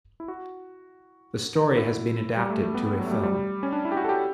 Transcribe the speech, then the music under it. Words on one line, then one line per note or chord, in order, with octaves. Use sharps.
The story has been adapted to a film.
E4
F#4
F#4
E4
G3
A3
A3
B3
B3
F#3
A3
G3
G3
C#4
D4
E4
G4
F#4
A4
G4